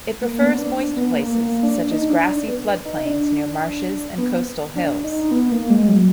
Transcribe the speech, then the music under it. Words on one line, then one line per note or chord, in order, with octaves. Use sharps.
It prefers moist places, such as grassy floodplains near marshes and coastal hills.
A#3
B3
D4
D4
B3
A#3
A#3
D4
D#4
D4
D4
B3
D#4
D4
B3
D4
D#4
B3
A#3
G#3
F#3